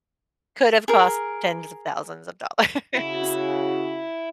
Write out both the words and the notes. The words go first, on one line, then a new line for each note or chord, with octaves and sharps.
could've cost tens of thousands of dollars.
G#4 A#4
C#3 E4 F#4